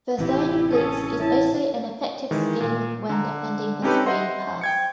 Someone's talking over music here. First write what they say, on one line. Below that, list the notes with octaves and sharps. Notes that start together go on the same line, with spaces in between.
The zone blitz is also an effective scheme when defending the screen pass.
A1 C3 E3 E4 G4
C#4 A4 C#6 D#6
C#4 E4 A5
D#3 E3 G#3
A#2
D3 A#5
C4 C#4 D#4 G4 A4 B4
C5 D#5 E5 F#5 C6
G5 G#6 C#7